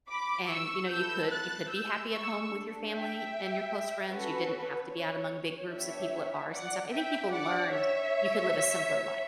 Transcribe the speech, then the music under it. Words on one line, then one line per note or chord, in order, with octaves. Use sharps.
And, you know, you could you could be happy at home with your family and your close friends, you didn't have to be out among big groups of people at bars and stuff. I think people learned you could live a simpler life.
B5 D6
C#6 E6
B3 E4 A4 E6 G6
F#6 A6
E6 G6
C#6 E6
D4 A4
E5 G5
C#4 F#4 A4 B4
C#5
B3 D4 G4 C#5 E5
D5 F#5
E5 G5
D4 G4 D5 F#5
C#5 E5